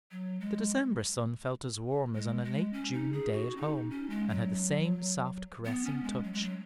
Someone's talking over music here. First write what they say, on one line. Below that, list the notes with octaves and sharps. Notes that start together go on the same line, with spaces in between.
The December sun felt as warm as on a late June day at home, and had the same soft caressing touch.
F#3
G#3
G#3
G#3
C#4
D#4
G#4
F#4
C#4
D#4
C#4
G#3
F#3
B3
C#4
G#3
F#3
G#3
F#3